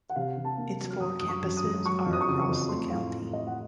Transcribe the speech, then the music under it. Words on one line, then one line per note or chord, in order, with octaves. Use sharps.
Its four campuses are across the county.
F#5
C3 F5
C3
A5
A#3
F#3
F6
F#2 D#6
F#2 D#6
C#6
F#2
D#6
F#2
F#3 C#6
F2
D#6
C#6
C#3 D#6
C#6
F2
A3 C6
A2 F5
A3
A3 D#5
F#5